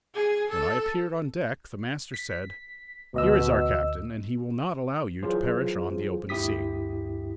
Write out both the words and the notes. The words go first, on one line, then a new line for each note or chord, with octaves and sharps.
When I appeared on deck the master said, "Here is our captain, and he will not allow you to perish on the open sea."
G#4
A4
B6
D2 B2 D#5 E6
E3 F#3 F4 G#4 C5
D2 G2 E4 G4 D#6 B6